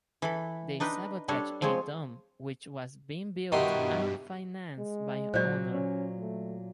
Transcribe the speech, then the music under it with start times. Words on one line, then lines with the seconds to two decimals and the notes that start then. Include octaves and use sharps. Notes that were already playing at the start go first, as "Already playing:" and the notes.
They sabotage a dome which was being built and financed by Honor.
0.22 E3 A4 B5
0.80 D4 D#4 B4 G5
1.28 G3 D4 A4 C#5
1.62 F3 G#3 C4 C#5
3.52 G2 B2 D#3 D#4 E4 F#4 G4 C6
4.78 G#3
5.34 A#2 F#3 C5 D5
5.72 C#4
6.20 A3